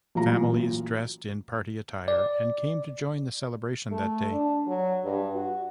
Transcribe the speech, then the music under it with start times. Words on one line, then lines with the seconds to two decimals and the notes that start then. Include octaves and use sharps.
Families dressed in party attire and came to join the celebration that day.
0.15 A1 A#2 F#3 A#5
2.08 D5
3.92 A3
4.31 D4
4.67 F#3
5.04 G2
5.35 F#4